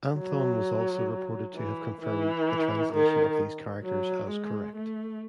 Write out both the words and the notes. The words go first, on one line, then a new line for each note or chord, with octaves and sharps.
Anthon was also reported to have confirmed the translation of these characters as correct.
F#3
E3
E3
D#3
F#3
G#3
A3